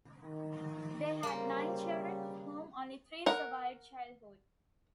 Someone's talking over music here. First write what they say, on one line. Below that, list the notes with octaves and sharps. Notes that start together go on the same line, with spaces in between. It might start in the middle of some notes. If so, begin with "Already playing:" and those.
They had nine children, of whom only three survived childhood.
D#3
C#3 G3 A#3 C5
A#4 F#5